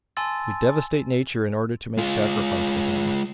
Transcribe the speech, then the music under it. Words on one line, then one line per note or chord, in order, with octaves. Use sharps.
We devastate nature in order to make sacrifice to him.
G#5 A5 C6 E6 A6
G#3 F4